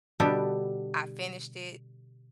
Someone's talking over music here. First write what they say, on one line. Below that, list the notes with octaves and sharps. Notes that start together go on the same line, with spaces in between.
I finished it,
B2 D3 G3 B3 G4 A4